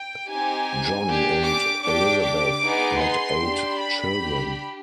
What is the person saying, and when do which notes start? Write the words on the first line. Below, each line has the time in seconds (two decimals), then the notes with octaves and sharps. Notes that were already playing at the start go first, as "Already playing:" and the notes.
John and Elizabeth had eight children.
Already playing: G5
0.30 C4 D#4 G4 G#5
1.07 D4 G4
1.46 D6
1.85 D4 G4 D6
2.24 D6
2.62 B3 D#4 G#4
3.01 C6
3.40 D4 G4
3.78 B5
4.17 D4 G4